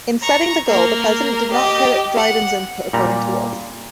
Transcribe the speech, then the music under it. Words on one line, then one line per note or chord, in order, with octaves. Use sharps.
In setting the goal, the president did not credit Dryden's input, according to Wolfe.
A#5 C#6
A#3 A#4
G4 D#5
F#5
A#2 G3 A#5